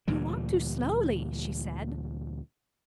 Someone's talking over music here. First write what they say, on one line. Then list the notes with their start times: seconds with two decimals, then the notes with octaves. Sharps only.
"You walk too slowly," she said.
0.08 D2 A#2 E3 G3